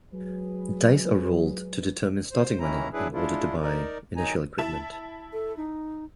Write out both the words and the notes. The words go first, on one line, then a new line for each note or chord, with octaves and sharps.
Dice are rolled to determine starting money in order to buy initial equipment.
F#3 G#3 G#4 B4
C5
D#2 D#3 E3 C#4 E4 A#5
F#3 D4 E4 G#4 B4
G#3 D4 E4 F4
D#4 A#4 D5
D#3 F#3 D#4 G#5 A#5
E4 A5 E7
A4
D#4